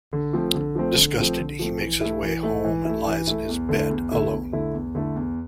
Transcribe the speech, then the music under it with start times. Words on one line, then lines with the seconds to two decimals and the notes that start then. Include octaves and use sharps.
Disgusted, he makes his way home and lies in his bed, alone.
0.13 D3
0.33 F3 A3 C4
0.55 D3
0.75 F3 A3 C4
0.96 D3
1.18 F3 A3 C4
1.39 D3
1.59 F3 A3 C4
1.81 E3
2.01 A3 E4
2.22 E3
2.43 A3 E4
2.65 E3
2.85 A3 E4
3.07 E3
3.27 A3 E4
3.49 E2
3.69 D3 A3 E4
3.90 E2
4.11 D3 A3 E4
4.32 E2
4.52 D3 A3 E4
4.74 E2
4.95 D3 A3 E4
5.16 E2